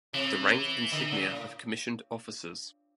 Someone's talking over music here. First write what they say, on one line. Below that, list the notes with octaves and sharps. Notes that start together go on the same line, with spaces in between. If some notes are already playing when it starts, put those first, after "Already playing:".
The rank insignia of commissioned officers.
C3 E3
D3
C#3
A2